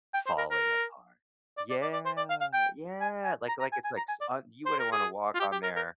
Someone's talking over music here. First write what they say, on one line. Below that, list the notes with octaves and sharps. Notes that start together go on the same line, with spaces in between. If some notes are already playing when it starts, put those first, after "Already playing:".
falling apart. Yeah, yeah, like like it's like s and you wouldn't wanna walk on there.
G5
C5
A#4
A#4
D5
D5
D5
D5
C5
D5
F5
F5
G5
G#5
G#5
A#5
A#5
G#5
G#5
A#5
G#5
D5
C5
A#4
G#4
F4
G4
G4
A#4
A#4